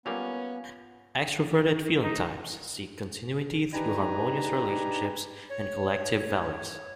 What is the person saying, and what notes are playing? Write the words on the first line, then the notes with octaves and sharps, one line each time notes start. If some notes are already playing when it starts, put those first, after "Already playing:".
Extroverted feeling types seek continuity through harmonious relationships and collective values.
F#3 G3 A#3 B3 C#4 F4 F5 F7
D#4
D4 D#4 G4 B4 G#5 A#5
C#5